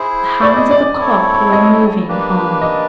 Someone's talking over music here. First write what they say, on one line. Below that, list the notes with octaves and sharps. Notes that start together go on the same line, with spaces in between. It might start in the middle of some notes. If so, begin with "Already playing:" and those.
The hands of the clock were moving on.
Already playing: E4 G#4 C5
D5
D#5
D5
C4 E4 A4 C#5
D#5
A#3 D4 G4 B4 D5
D#5